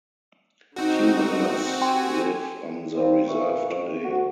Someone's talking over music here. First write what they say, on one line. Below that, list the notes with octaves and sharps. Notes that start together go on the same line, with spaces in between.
Few members live on the reserve today.
D3 C4 D#4 F#4
G4 G5 G#5 C6
G3 A#3 C4
D2 A#2 B4 E5 C#6
F2
D2 F#4